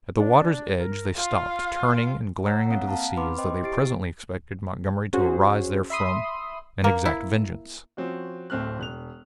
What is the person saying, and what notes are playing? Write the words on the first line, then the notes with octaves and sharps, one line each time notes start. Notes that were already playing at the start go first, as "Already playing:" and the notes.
At the water's edge they stopped, turning and glaring into the sea as though they presently expected Montgomery to arise therefrom and exact vengeance.
D4
A#4
F4 F5
C#5 F#5 A#5 E6
A#3 C4 F5 F#5
F5 F#5 A5 A#5
C4 B4 B5 C6 D6
C5 D#5 G5 C6 D6
E4 G4 A6 C7 D7
C#4 F#4 G#4 C5
E5 B5 C6 D#6
A#3
E4
F3 C4 C#4 F#4
D1 A3 C4 F6 F#6
E1 F#6 F7